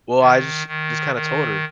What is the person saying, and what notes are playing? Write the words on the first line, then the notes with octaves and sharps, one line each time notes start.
Well, I just just kinda told her
D#3
D#3
D#3